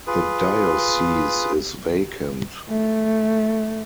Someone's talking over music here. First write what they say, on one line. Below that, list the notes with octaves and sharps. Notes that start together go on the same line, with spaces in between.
The diocese is vacant.
F4 G#4 B4
A3